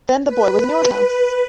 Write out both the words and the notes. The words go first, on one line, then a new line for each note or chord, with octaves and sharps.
Then the boy was in your house!
B4